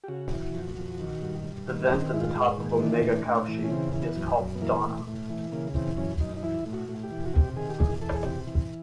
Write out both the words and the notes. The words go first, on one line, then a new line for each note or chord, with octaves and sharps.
The vent at the top of Omega Cauchy is called Donna.
G4
C#3 F#4
E3
F2
F2
D#3
G2
G2
D#3
B3
D#3 C4
G#2 E4
F4
G#2
D#3
E3 D4
A2
A2
E3
C#4
C#3 C4
E3
B3
F#2
F#2
B3
E3 A#3
A2
A2
E3
C#3 A#3
E3 C4
F#2 C#4
F#2 D#4
D#4
E3 E4
A2
F#4
A2
G4
E3
F#4
C3 G4
D#3 G#4
G4
E2 G#4
E2 A4
G#4
C3 G4
E3